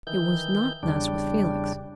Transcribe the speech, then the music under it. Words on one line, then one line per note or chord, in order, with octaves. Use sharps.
It was not thus with Felix.
D#3 E3 G6
E2 C#3 G3 D4